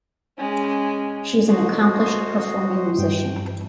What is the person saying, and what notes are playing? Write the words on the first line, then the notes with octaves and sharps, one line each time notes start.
She is an accomplished performing musician.
G#3 C#4
F#4 C5 D#5
G2 G5